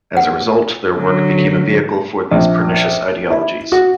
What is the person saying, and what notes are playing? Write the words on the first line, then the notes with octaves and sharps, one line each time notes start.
As a result, their work became a vehicle for these pernicious ideologies.
F#5
D3 F#3
A#1
E4
F#4